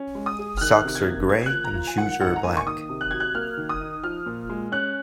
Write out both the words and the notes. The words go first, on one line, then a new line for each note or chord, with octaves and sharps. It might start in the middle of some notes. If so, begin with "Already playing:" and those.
Socks are grey and shoes are black.
Already playing: C#4
G#3
D#6
G#4
F6
D#3 F#6
C3
G#6
A#3
A#3 G#6
G#6
F#6
F3
A#5
F4
G#5
D#3 F#5
G#2 F#5
A#5
A#3 G#5
C#6
D#3 D#6
C3
F#6
F#3 G#6
F#6
A#3 F6
D#3
D#6
D#4
F3 F6
A#2
G#3
C#4 F#6